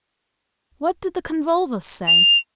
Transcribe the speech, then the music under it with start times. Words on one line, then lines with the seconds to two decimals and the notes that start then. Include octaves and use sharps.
What did the Convolvulus say?
2.08 F7